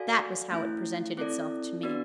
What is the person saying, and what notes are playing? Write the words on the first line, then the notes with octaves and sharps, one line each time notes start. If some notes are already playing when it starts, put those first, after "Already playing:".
That was how it presented itself to me.
Already playing: F#4 A4 D5 F5 G#5
A3 C#4 E4
C4 E4 A4 D5
B3 D4 F#4 B4 D5